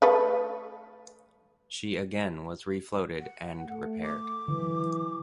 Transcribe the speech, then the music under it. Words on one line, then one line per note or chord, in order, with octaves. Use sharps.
She again was refloated and repaired.
A3 B4 F5
F#5
A3
D6
D3 E3 F#3